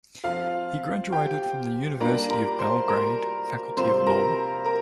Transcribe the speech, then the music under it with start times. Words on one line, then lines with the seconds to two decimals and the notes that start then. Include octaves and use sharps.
He graduated from the University of Belgrade Faculty of Law.
0.24 F3 C4 F4 F5
1.12 G4 G5
2.00 G3 A#3 D4 F4 A#4 A#5
2.30 A#4 A#5
2.59 C5 C6
2.88 A#4 A#5
3.77 C3 G3 C4 F4 C5 C6
4.06 A#4 A#5
4.66 A#4 A#5